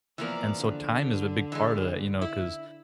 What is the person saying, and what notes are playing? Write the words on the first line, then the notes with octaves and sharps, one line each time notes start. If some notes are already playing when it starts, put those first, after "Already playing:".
And so time is a big part of that, you know, 'cause,
E3 F3 A#3 B3 A#4 D5
D3
E3 G#3
E4